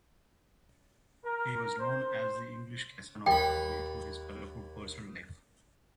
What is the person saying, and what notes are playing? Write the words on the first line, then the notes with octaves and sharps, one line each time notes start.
He was known as the English Casanova, due to his colourful personal life.
A#4
C5
D#2 G5 B5